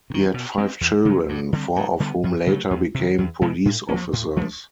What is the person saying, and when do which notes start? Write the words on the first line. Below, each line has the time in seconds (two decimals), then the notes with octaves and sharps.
He had five children, four of whom later became police officers.
0.10 C3
0.14 D#3
0.34 B2
0.58 G#3 C4
0.81 E2
1.05 C#3 F#3
1.29 G2
1.53 D3 G3 C4
1.76 G2
2.00 D3 G3 B3
2.24 F#2
2.47 C#3 F#3 A3
2.71 E2
2.94 C3
2.99 D#3
3.18 E2
3.42 B2 G#3 B3
3.65 A2
3.89 F3 A#3 C#4
4.13 A2
4.36 F3 A3 D4